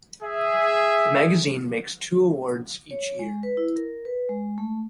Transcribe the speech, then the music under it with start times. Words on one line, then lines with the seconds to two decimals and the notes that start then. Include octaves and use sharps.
The magazine makes two awards each year.
0.23 G#4 E5
2.91 C#5
3.19 G#3
3.43 B4
3.57 E4
3.76 A#4
4.05 B4
4.29 G#3
4.58 A3